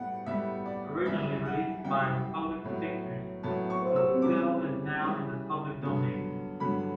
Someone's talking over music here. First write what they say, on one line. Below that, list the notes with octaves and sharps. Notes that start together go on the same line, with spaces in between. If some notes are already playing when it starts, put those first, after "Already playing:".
Originally released by Republic Pictures, the film is now in the public domain.
Already playing: A2 G3 B3 F#5
A2 G3 B3 E5
D5
F#2 E3 G3 E5
F#5
F#2 E3 G3 G5
A2 F#3 B3
A2 F#3 B3 A5
C#6
E6
C#3 E3 G3 D6
C#3 E3 G3
G2 D3 F#3 B3
G2 D3 F#3 B3 B5